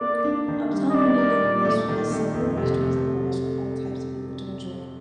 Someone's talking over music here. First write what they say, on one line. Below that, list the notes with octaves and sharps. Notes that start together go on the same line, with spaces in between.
Uptown Minneapolis has several restaurants and bars for all types of people to enjoy.
A#3 D5
D4
D#3
G3
D#5
D#4 D5
A#4
A#2
A3
D#3
A3
F2
C3
A3